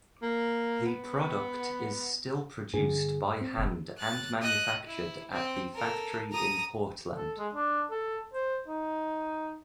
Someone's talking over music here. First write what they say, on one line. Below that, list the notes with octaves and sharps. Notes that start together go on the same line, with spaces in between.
The product is still produced by hand and manufactured at the factory in Portland.
A#3
B3
G2 D3 G#4
C4
F#1
F#6 A6
D#5 F#6
E4
C4
A4 A#4
A#5 D#6
A4
G#3
D4
A4
C5
D#4